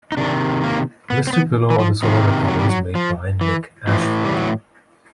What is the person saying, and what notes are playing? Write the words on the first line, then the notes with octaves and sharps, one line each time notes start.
Listed below are solo recordings made by Nick Ashford.
D#4
C3 D#3 D4
A#3
B3
C4
B3
E3
F3
C3 D#3 F3
F#3
G3
F#3
F3
E3
A2 E3 F3
G3
F#3